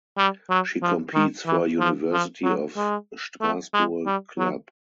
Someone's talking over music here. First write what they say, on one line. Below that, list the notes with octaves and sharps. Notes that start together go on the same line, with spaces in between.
She competes for University of Strasbourg club.
G3
F#3
F3
D#3
E3
F3
F3
F#3
G#3
A3
G#3
G3
F#3